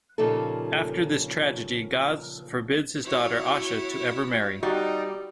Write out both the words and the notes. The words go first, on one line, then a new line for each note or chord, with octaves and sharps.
After this tragedy, Gaz forbids his daughter Asha to ever marry.
A#2 C#3 F3 D#4 G4 A4
E4 F#4 C#5
G3 D#4 F#4 G4